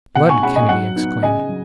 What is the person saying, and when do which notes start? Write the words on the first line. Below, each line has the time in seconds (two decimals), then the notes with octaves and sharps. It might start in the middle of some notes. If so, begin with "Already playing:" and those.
"Blood!" Kennedy exclaimed.
0.15 B2 F#5
0.29 G#5 C#6
0.43 G#3 C#4 F#5 B5
0.56 D#5 G#5
0.69 F#3 F#5
0.96 B3 D#4
1.23 C#3 D#5 G#5
1.49 F#3